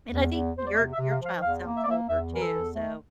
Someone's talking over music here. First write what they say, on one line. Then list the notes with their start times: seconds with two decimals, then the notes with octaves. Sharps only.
and I think your your child sounds older too, so
0.10 E2
0.32 E2
0.55 E2 C5
0.67 D5
0.77 C3 E5
0.93 E5
0.99 C3
1.10 F5
1.21 F3 F5
1.42 E2 F5
1.64 A#3
1.76 E5
1.84 D5
1.87 A#3 E5
2.09 E2 E5
2.31 E3 A#4
2.41 A4
2.53 E2
2.75 A3